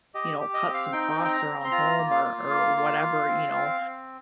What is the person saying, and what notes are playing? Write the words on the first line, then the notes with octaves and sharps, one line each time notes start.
you know, cut some costs around home or or whatever, you know.
G4 D#5
G4
D#5
C4
F5
D#4 G5
C4
G5
A#5
C4
C6
F4 A#5
A#3
F5
F4
A#3
F4
F4
C4
C4
C4